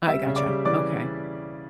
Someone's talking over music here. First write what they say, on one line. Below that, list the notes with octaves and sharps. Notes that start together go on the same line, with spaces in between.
I gotcha, okay.
G3 E5 E6
C#3
D5 D6
G3
E3 D5 D6